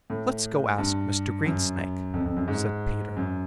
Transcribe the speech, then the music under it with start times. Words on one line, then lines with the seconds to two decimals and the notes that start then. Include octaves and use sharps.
"Let's go ask Mr. Greensnake," said Peter.
0.10 A2
0.78 G2
1.46 F#2
2.14 F2
2.26 F2
2.37 F#2
2.48 G#2
3.16 F#2